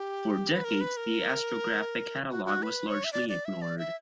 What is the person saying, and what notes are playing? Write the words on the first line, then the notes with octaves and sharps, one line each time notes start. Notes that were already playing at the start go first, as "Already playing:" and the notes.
For decades the Astrographic Catalogue was largely ignored.
Already playing: G4
B4
A#4
B4
A#4
F#4
F#4
B4
C#5
E5
D5
D5
E5
D5
E5